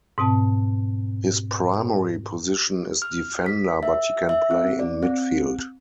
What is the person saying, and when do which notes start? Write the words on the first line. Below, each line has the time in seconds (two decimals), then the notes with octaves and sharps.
His primary position is defender but he can play in midfield.
0.18 G#2 B2 C4 A5
3.02 F6
3.46 B6
3.83 E5
4.29 E5
4.51 C4
4.79 D5
5.03 C4